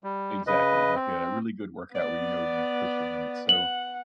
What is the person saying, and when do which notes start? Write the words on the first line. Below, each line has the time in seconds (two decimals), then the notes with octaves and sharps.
Exactly, like a really good workout where you know you've pushed your limits. So,
0.04 G3
0.47 C#3 B4 D#5
0.95 C4
1.95 B3 D5
3.49 F#5 F#7